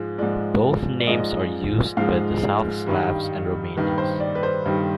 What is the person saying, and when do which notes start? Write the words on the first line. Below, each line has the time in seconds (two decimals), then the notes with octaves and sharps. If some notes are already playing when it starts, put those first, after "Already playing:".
Both names are used by the South Slavs and Romanians.
Already playing: G#2 F3 G#3
0.18 G#2 F3 G#3 D5
1.00 D5
1.07 G#2 F3 G#3 D#5
1.97 G#2 F3 G#3 F5
2.87 G2 D#3 G3
3.77 G2 D#3 G3 B4
3.98 C5
4.20 D5
4.35 B4
4.43 C5
4.66 G2 D#3 G3